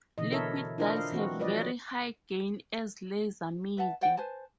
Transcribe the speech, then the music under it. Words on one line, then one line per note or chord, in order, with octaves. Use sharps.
Liquid dyes have very high gain as laser media.
B2 D3 E3 D#5
E4 A4 A#4 C#5 E5
D4 E4 F4 A#4 C5 D#5
F5
E3 C4 F#4
F3 F#3 B4 D5 D#5
B4 E5 F#5 A5
C5 D5 F#5 G5
B4 C5 G#5 A5